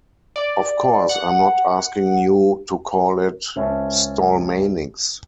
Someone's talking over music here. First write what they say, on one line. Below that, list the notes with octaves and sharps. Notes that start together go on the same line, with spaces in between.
Of course, I'm not asking you to call it 'Stallmanix'.
D5
F#5
C#2 C4 C#4 E5 A5